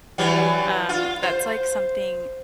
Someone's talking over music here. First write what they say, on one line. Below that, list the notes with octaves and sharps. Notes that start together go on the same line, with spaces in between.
Um, that's, like, something
E3 F#3 G3
F4
C5